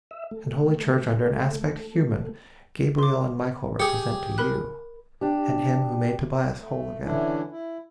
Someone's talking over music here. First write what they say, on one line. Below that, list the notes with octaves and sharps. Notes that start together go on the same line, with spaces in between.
And Holy Church under an aspect human Gabriel and Michael represent to you, And him who made Tobias whole again.
E5
A3
C6 D6
G4 G#4 C#7
A#4 B5 F#6
D4 G4
A3
D3 E3 C#4 D4 E4
E4